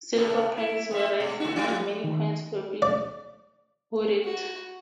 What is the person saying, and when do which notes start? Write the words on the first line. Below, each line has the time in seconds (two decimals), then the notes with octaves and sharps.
Silver prices were rising, and many coins were being hoarded.
0.16 A2 C3 A3
0.58 E4
0.91 G3 C4 E5
1.20 B2
1.40 C#3 F#4
1.55 F3 G3 F4
2.04 D#3
2.82 D5
4.24 F#4